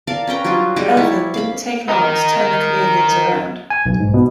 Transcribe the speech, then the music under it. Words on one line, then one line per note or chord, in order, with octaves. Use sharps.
Irvin didn't take long to turn the Canadiens around.
A#4 D5 F5 A5
C#4 B4 G5 A#5
F#3 G3 D4 F4
G3 G#3 D#4 G4
E4 C#5 A5
F5 B5
D#4 A#4
G#5
B1
G#2
B2